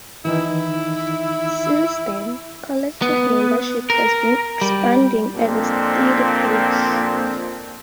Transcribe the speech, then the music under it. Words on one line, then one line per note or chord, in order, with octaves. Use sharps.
Since then, collective membership has been expanding at a steady pace.
D#3 E3 D#4 E4
B3
A#4
G3
F2 A#2 C4 D4